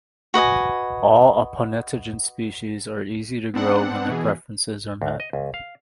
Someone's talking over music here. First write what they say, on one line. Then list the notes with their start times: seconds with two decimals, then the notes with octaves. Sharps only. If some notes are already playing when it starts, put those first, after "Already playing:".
All "Aponogeton" species are easy to grow when their preferences are met.
0.34 F#4 B4 D#5 G#5
3.54 B3 C4 D4 F#5
4.08 B2 E3 G#4
5.02 D2
5.20 D#5
5.33 C#2
5.54 F5